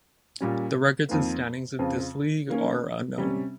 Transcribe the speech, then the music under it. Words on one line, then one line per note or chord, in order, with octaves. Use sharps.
The records and standings of this league are unknown.
A#2 G3 C#4
F2 D#3 A#3
F2 C#3 F3
D#3 A#3 C#4
C3 G3 C#4